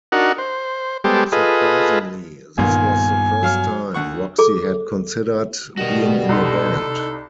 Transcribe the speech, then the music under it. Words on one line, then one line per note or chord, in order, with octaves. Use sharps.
Surprisingly, this was the first time Roxy had considered being in a band.
D4 D#4 F#4 A#4 F#5
C5
G3 G#3 B3 G4 A4 C5
F4 G#4 A4 B4 D#5
C2 G2 A#2 D#3 B3 G#5
F#3 F5 F6
D2 F#5 C#6
G#4 A4 D6
B2 D#3 G3 F#4
C2 D#4 A4 C6